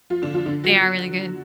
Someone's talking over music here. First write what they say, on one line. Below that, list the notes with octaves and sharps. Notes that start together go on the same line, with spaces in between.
They are really good.
F3 F4
D3 D4
F3 F4
D3 D4
F#3 F#4